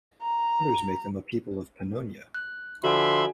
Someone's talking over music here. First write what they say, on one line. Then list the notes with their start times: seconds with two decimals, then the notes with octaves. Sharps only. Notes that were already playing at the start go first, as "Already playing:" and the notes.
Others make them a people of Pannonia.
0.22 A#5
2.34 F#6
2.84 D3 F3 F#4 E5 G#5 B5 C6